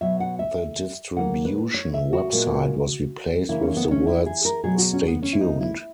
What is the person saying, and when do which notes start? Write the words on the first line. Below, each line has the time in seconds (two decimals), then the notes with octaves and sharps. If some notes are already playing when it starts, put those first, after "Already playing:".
The distribution website was replaced with the words "Stay Tuned".
0.01 B2 F#3 B3 E5
0.20 F#5
0.39 E5
1.17 C#3 F#3 A#3 F#5
1.45 B4
1.74 C#5
1.94 E5
2.13 F#4
2.32 A#2 G#3 B3
3.49 C#3 E3 A#3 E4
3.62 C#4
3.77 B3
3.91 C#4
4.07 E4
4.26 G#4
4.45 A#4
4.64 B2 F#3 B3 G#4
4.78 F#4
4.93 C#4
5.08 B3
5.23 C#4
5.33 E4
5.41 D#4
5.61 E4